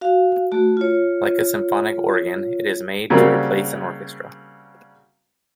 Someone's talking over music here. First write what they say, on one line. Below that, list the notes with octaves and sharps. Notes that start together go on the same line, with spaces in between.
Like a symphonic organ, it is made to replace an orchestra.
F#4 F5
A3 F#4
F4 C#5
C#3 F#3 G3 A#3 C4